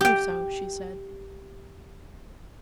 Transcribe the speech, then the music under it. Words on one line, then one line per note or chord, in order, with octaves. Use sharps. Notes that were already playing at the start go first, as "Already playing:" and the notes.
"Do so," she said.
G4 G5